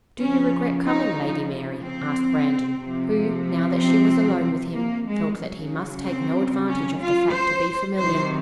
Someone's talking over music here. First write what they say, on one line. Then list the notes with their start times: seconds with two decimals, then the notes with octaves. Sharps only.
"Do you regret coming, Lady Mary?" asked Brandon, who, now that she was alone with him, felt that he must take no advantage of the fact to be familiar.
0.20 C#3 F3 C#4
0.86 D#4
1.83 C4
2.80 C3 F3
3.77 C4
4.74 A#3
5.07 G#3
5.39 C#3 F#3
6.04 C4
6.68 C#4
7.01 F4
7.33 C5
7.98 C3 D#3 F#3 C5